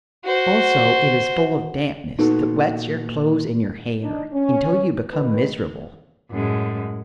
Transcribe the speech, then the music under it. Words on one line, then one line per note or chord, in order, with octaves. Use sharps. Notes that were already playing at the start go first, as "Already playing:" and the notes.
Also it is full of dampness that wets your clothes and your hair until you become miserable.
F#4 C5
A#2 B3 D#4 F#4 A4
D4 D#4
C#4
A#2 D#3 B4
F#2 A2 G#3